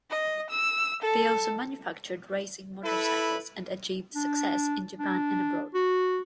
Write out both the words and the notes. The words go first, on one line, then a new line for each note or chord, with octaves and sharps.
They also manufactured racing motorcycles and achieved success in Japan and abroad.
D#5
E6
A4
E4 A4 B4
D4
D4
F#4